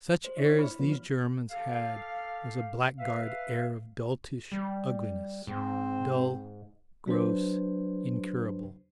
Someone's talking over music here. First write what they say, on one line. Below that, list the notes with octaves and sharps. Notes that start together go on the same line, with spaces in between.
Such air as these Germans had was a blackguard air of doltish ugliness--dull, gross, incurable.
C5
D4 E4 C#5
B5 F6
F3 B3 C#4
G4 A4 F5
B4 E5 F5
G3
G#2 C4
F#3 D4 B4 C5